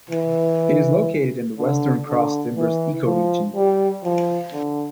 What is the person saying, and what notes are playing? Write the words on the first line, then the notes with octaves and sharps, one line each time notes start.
It is located in the Western Cross Timbers Ecoregion.
E3
D3
D3
E3
F3
G3
F3
D3